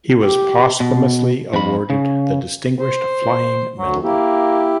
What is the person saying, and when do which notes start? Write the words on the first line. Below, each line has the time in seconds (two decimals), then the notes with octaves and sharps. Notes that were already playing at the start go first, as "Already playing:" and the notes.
He was posthumously awarded the Distinguished Flying Medal.
0.23 G4
0.80 B2
1.53 F2 B5
1.90 C#3
2.80 C5
3.78 D2 F#3
4.04 A#3 E4 G4